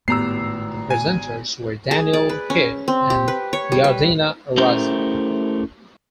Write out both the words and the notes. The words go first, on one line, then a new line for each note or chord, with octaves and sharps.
The presenters were Daniel Pe'er and Yardena Arazi.
G#1 A2 B3 G4 A#5 E6 C7
G#5
G#4
D5
B4
C#4
C4
G4
B4
C#5
G3
B4
A3 C#4 E4 G4 A#4 C5